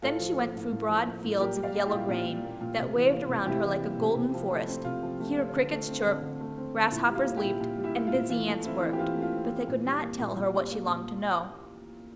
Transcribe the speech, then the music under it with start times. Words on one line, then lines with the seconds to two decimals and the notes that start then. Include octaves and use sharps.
Then she went through broad fields of yellow grain, that waved around her like a golden forest; here crickets chirped, grasshoppers leaped, and busy ants worked, but they could not tell her what she longed to know.
0.02 A2 F4 A4
0.19 F3
0.36 A#3
0.55 A2
0.71 A2
0.89 F3
1.06 A#3
1.24 A2
1.40 A#2 G4 A#4
1.57 G3
1.63 D5 F5
1.74 A#3
1.86 E4 G4
1.92 A#2
2.09 A#2 F4
2.26 G3
2.44 A#3
2.61 A#2
2.78 C3
2.95 E3
3.13 A#3
3.29 C3
3.46 C3 E4 G4
3.64 E3
3.82 A#3
3.98 C3
4.15 C3
4.34 F3
4.51 A3
4.68 C4
4.84 C3 F4
5.03 F3
5.20 A3
5.37 C4
5.53 D3
5.71 A3
5.88 C4
6.06 D3
6.22 D3
6.41 A3
6.58 C4
6.75 D3
6.92 A#2 E4
7.09 G3
7.15 F4
7.27 A#3
7.37 E4 G4
7.44 A#2
7.61 A#2
7.78 G3
7.84 E4 G4
7.95 A#3
8.07 F4
8.12 A#2
8.30 E3 F4
8.47 A3
8.65 C4 E4
8.81 E3
8.93 G4
8.98 E3 F4
9.16 A3
9.22 F4
9.34 C4
9.50 E3
9.68 A#2
9.85 G3
10.02 A#3
10.19 A#2
10.37 A#2
10.54 G3
10.71 A#3
10.88 A#2